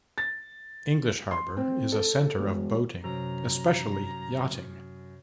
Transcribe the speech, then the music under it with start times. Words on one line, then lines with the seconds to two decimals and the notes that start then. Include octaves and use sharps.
English Harbour is a centre of boating, especially yachting.
0.18 A6
1.31 C6
1.57 C4
1.92 A4
2.39 E1
3.04 F#2 C3 A#5